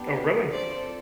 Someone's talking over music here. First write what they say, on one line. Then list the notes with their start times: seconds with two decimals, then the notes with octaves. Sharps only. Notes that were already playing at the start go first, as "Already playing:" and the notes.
Oh, really?
Already playing: B3 D4 G4
0.51 C4 F4 A4 C5 D5